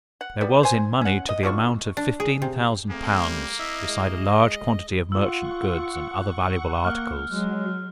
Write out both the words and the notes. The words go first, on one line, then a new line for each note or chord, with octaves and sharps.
There was in money to the amount of fifteen thousand pounds, besides a large quantity of merchant goods, and other valuable articles.
F#5
G3 B3
C5 G#5
C#4 F#5
D#5
D3 F4 F#4 C#6
D4
G#4
C3
A3 A#3 C4 G#4
G3
E4 D#5 E5
G#3
F4 F#5 C#6 E6
A#3 F6 F#6
F#3 G#3